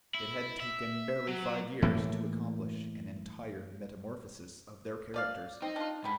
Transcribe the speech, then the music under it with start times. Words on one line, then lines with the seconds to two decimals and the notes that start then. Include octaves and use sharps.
It had taken barely five years to accomplish an entire metamorphosis of their characters.
0.15 E4
0.60 E5
1.28 F#3
1.82 A2 E3 A#3
5.14 F3 D5 F5
5.62 C4 D#4
5.76 D4 F4
6.04 G#2 D3 G3 B5